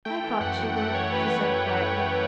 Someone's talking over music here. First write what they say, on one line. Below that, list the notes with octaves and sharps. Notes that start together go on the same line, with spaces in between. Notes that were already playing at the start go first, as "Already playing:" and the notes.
"I thought you would," she said quietly.
A3 G5
E3
F#2 F#5
F#2
A3 F#5
E3 C#5
F#2 B4